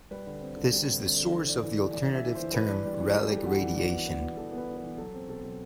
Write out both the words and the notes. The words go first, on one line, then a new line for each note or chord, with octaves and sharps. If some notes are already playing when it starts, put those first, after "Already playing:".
This is the source of the alternative term "relic radiation".
G3 B4
D3
C4
D3
G3 C5
C4
D3
D3
E3 C5
D4
E3
D4
E3 D5
D4
E5
E3
E3 C5
E3 B4
D4
G3
E3
E3 A4
G3 G4
E3 F#4
E3 F#4
D4 F#4
B3
B3
B3
E3 A4
B3
B4
D4
B4
E3
F#3 A4
C4
B2 A4
F#3